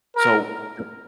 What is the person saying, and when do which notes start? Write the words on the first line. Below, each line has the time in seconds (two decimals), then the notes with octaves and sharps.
So the
0.15 A#4